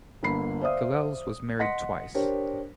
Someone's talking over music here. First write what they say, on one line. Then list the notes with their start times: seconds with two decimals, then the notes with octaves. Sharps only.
Gilels was married twice.
0.23 G1 D3 A#3 B5 C7
0.61 C5 D5 E5 F5 D#6
1.59 D#5 F#5 C6 A#6 B6 C#7
2.14 D4 G4 A#4 C5 C#5